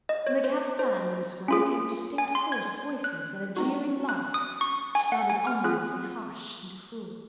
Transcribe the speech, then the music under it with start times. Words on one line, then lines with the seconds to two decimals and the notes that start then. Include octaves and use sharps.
From the cab-stand in the square came distinct hoarse voices and a jeering laugh which sounded ominously harsh and cruel.
0.09 D#5
0.27 C#5
0.44 C5
0.79 C5
1.48 C#4 F4 G#4
2.18 G#5
2.35 C6
2.52 G#6
3.04 F#6
3.57 C4 D#4 F#4
4.09 F#6
4.34 D#6
4.61 C#6
4.95 G#5
5.12 F#5
5.30 G#5
5.47 F6
5.64 C4 F4 G#4 F#6